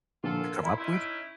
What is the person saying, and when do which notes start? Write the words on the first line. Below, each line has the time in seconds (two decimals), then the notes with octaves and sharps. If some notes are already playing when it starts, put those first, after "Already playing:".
you come up with?
0.24 A#2 D3 F3 F4 A4
0.41 A#4 G#6
0.63 E4 E5 B5 C6
0.78 C#4 D#4 E4
0.94 D7